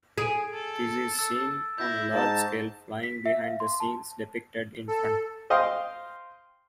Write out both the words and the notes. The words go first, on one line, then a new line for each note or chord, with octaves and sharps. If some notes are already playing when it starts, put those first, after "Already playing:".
This is seen on a large scale flying behind the scenes depicted in front.
G#4 G#6 D7
A4
E6 A6
E4 G6 A#6
G#2 A5
B6
E5
F5
C6
A5
A4
C5 D#5 F5 G5 C6